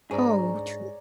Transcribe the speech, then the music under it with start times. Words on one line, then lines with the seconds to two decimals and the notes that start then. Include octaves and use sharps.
Oh, true.
0.11 G#2 D4 G#4 C#5 D5 A#5